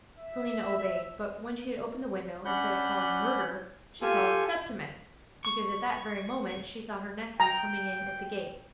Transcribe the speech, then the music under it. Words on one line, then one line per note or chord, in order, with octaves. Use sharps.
Selina obeyed; but when she had opened the window, instead of calling 'Murder!' she called 'Septimus!' because at that very moment she saw her nephew coming in at the gate.
E5
C#4 D4 F#5 B5 G6
F4 G4 A4 G#5
C#6
G5 A#5